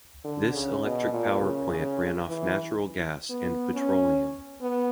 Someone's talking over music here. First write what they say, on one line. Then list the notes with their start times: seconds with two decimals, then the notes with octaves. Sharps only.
This electric power plant ran off natural gas and petroleum.
0.24 D3
0.54 C#3
0.83 B2
1.12 A#2
1.41 C#3
1.70 C#3
2.28 E3
3.30 B3
3.74 C#4
4.61 B3